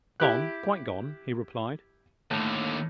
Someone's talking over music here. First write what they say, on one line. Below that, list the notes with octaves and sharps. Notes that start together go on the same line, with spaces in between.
"Gone, quite gone," he replied.
E4 G4 F#6
D#2 A2 D3